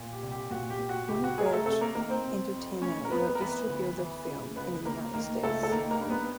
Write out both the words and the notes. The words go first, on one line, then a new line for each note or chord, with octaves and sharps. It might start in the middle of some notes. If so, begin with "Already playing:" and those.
Greenwich Entertainment will distribute the film in the United States.
Already playing: A#2
G4
C2
G4
A#2 F#4
G4
A#2
F#4
C#2 G4
F#4
C#2 G#3 G#4
A#4
A3 A4
C3 A3 A4
A#3 A#4
D#3 A#3 A#4
C4 C5
C3
F2
F2 C#4 C#5
A#4
F2 B3 B4
A#4
E3 B3 B4
D2
E3
C#3
C#2 B3 B4
B4
C#2 A#3 A#4
D#3 A#3 A#4
C#2 A3 A4
A4
D#3 A#3 A#4
A#3 A#4
G2
B3 B4